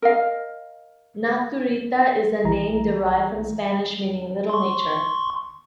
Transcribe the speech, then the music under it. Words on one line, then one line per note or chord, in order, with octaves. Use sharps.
Naturita is a name derived from Spanish meaning "little nature".
A#4 D#5 F5
B1 E3 A#5
C6 C#6